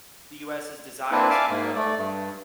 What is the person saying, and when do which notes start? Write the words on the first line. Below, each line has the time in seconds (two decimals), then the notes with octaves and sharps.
the US's desire to, uh
1.12 A#3 C4 D4 E4 B4
1.30 D5 E5 F5 G#5 A5 D6
1.49 G#2 A#3
1.75 A3 D5
1.98 G2